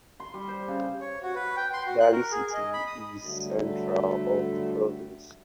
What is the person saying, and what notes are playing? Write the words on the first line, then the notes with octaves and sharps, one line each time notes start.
Dali city is the centre of the province.
C6
G3
C5
C#3
C#5
F#4
B4
G5
C6
F#4
F#6
A#4
G#4
D#5
B5
D#6
G2 D3 F#3 G3 A3